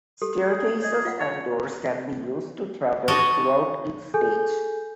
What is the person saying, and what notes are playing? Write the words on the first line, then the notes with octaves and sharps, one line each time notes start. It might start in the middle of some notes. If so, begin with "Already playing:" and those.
Staircases and doors can be used to travel throughout each stage.
G4 A4
G#4
G#4 C#5 D#5
F4 F5 F#5
C#5
F#4 C#5 D#5 A5
G#4 A4 G#5 G6